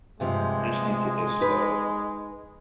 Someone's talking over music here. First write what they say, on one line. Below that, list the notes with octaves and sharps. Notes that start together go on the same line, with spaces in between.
listening to this, uh,
G2 C3 F3 G#3
D#4 B4